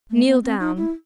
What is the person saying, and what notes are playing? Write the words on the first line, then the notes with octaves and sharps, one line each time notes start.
"Kneel down."
A3
B3
C4
D#4
E4